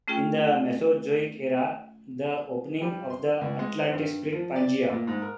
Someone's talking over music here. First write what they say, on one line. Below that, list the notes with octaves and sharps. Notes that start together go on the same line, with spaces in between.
In the Mesozoic Era, the opening of the Atlantic split Pangea.
A3 C#4 F4 G#4 G5
G3
C6
C#2
G#3
C5
G2
F3
D5
A#2
G#2
A#4